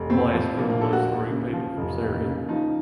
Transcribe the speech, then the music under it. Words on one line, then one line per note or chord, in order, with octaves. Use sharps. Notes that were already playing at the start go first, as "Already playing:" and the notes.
The blast killed at least three people from Syria.
Already playing: F1
A2 C4
F3
A#1 A#3
A#3
A#1 A4
F#4
D#2
C#3
F3
F1
D#2
C#3
F3 D#4